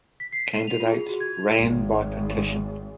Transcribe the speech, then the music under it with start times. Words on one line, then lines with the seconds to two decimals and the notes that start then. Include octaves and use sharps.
Candidates ran by petition.
0.20 B6
0.32 C7
0.47 D#7
0.67 F7
0.80 F4
0.93 G#4
1.09 F#4
1.20 G#6
1.58 G#1